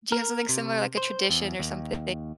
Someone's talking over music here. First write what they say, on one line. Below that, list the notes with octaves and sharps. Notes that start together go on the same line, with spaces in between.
do you have something similar, like, a tradition or something
A#4
C3
C5
E2
D#2